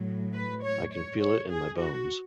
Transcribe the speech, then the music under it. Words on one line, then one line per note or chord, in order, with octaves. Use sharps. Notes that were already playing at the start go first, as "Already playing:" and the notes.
I can feel it in my bones.
Already playing: A2 F#3
B4
C#5
C#5
C#5
G#4
F#4